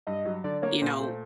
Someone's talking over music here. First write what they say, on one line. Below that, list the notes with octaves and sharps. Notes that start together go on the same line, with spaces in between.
you know
G2 D#5
F#3
D3 D5
A#3 C#5
A#2 C5
A3